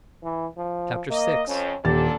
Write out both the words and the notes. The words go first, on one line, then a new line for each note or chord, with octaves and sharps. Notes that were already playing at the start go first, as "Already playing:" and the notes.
Chapter VI.
E3
F3
A#3 D#5
F2 C#4
D#1 A#2 D4 G4 A4 A6